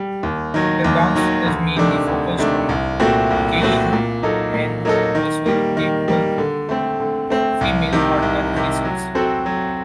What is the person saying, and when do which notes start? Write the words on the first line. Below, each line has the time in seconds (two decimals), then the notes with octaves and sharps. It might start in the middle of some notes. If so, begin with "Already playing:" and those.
The dance is mainly focused on Gaye and a suitable female partner he seeks.
Already playing: G3
0.23 D#2
0.54 D#3 F#3
0.84 D#2
1.15 D#3 F#3
1.46 D2
1.76 C3 D#3 A3 D4
2.08 D2
2.38 C3 D#3 A3 D4
2.69 C2
3.00 A#2 A3 C4 F#4
3.31 C2
3.62 A#2 A3 C4 F#4
3.93 A#2
4.23 F#3 A#3 D#4 A4
4.54 A#2
4.85 F#3 A#3 D#4 A4
5.15 D#3
5.46 G3 A#3
5.77 D#3
6.08 G3 A#3
6.38 D3
6.69 A3 C4
7.00 D3
7.30 A3 C4
7.61 C2
7.92 C3 D#3
8.22 C2
8.54 C3 D#3
8.85 F#3
9.15 C4 F#4 A4 C5
9.46 F#3